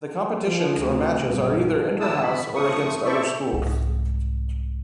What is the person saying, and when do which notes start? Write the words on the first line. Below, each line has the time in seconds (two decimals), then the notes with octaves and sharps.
The competitions or matches are either 'interhouse' or against other schools.
0.44 F3
0.82 D2 C3
1.25 B1 G2
2.00 E2 D4 E4 A5 D#6 E6
2.23 B3 B5
2.55 F3 A3 C#6 D#6
3.05 E4 A4 C5 D5 E5 C#6
3.52 C2 G#2